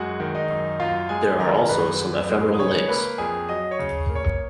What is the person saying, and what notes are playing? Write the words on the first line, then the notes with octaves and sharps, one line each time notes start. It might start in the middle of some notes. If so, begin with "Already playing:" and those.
There are also some ephemeral lakes.
Already playing: F#2 G#3 F#4 F#5
D#3
D#4 D#5
F#2
F#2 F4 F5
G#3 G#4 G#5
D#3 A#4 A#5
F#2 B4 B5
F#2
G#3
D#6
C#3 C#5 C#6
A#3 B4 B5
F2 G#4 G#5
F#3 D#5 D#6
C#5 C#6
C#3
A#3
C#5 C#6